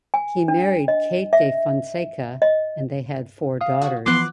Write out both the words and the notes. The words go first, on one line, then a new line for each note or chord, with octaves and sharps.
He married Kate de Fonseka and they had four daughters.
G#5
D4
D#5
E5
D#5
F5 D#6
F#4
E3 F3 B3 C6 D6 F#6